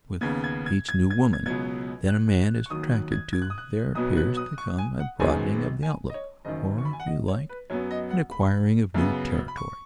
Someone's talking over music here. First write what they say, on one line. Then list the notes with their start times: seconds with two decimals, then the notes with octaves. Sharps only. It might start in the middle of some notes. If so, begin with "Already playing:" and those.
With each new woman that a man is attracted to there appears to come a broadening of the outlook, or, if you like, an acquiring of new territory.
0.21 D#2 C#3 B3 G#6
0.44 G#6
0.66 G#6
0.89 G#6
1.10 G#6
1.33 G#6
1.46 C#2 B2 F#3 B3 G#6
2.09 F#6
2.66 C#6
2.70 D#2 D#3 F#3 D#6
2.91 F#6
3.12 G#6
3.33 G#6
3.42 F#6
3.50 D#6
3.58 F#6
3.95 B1 B2 F#3 B3 D#6
4.17 F#6
4.37 D#6
4.58 C#6
4.78 G#5
5.00 F#5
5.20 G#1 F#2 D#3 G#3 B3 G#5
5.83 G#5
6.10 D#5
6.14 C#5
6.45 F#1 F#2 D#3 D#5
6.78 C#6
6.85 B5
6.93 G#5
7.00 F#5
7.07 D#5
7.28 C#5
7.49 B4
7.70 F#2 F#3 B3 C#5
7.91 D#5
8.11 F#5
8.31 B5
8.94 F#2 C#3 B3
9.48 B5
9.57 C#6